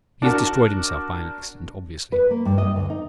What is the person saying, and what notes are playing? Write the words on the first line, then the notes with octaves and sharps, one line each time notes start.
He has destroyed himself by an accident, obviously.
D4 F#4 A#4 A5
B4
A#3
G2
D#5
D2
D#4